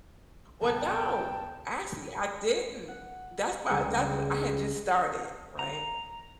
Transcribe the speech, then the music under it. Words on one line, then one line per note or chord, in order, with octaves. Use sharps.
Well, no. Actually, I didn't. That's why that's I had just started, right?
D#1 C3 B3 G5 A5
F#5
C#2 G3 D5 G5 D#7
A#5